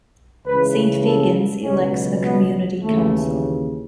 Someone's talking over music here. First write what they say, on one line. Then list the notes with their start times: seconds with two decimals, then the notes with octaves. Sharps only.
Saint Fagans elects a community council.
0.46 C#2 C#3 E3 B4
1.05 A4
1.64 C#2 B2 F#3 C#4
2.23 B3
2.82 D#2 C#3 E3 A3